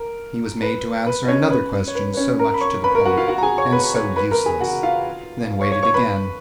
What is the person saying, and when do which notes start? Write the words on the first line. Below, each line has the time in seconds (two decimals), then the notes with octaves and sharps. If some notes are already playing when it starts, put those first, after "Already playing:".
He was made to answer another question so much to the point and so useless, then waited again.
Already playing: A#4
0.62 B4
1.06 B4
1.25 D#5
1.28 C#4 C#5
1.51 B4
1.88 C#5
1.95 B4
2.14 B4
2.17 C#4 C#5
2.39 A#4 A#5
2.54 B5
2.61 C#5 C#6
2.84 B4 B5
2.95 A#4 A#5
3.05 F#4 F#5
3.17 F4 F5
3.28 F#4 F#5
3.38 A#5
3.43 G#4 G#5
3.58 C#5 C#6
3.72 B4 B5
3.94 C#5 C#6
4.16 B4 B5
4.31 A#4 A#5
4.46 G#4 G#5
4.60 F#4 F#5
4.83 F4 F5
5.61 C#5 C#6
5.72 C#5 C#6
5.83 C#5 C#6
5.94 B4 B5